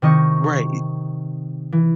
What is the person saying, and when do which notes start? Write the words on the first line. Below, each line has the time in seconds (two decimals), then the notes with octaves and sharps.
Right, y
0.02 C3 D#3 D#5 C#6
1.72 E3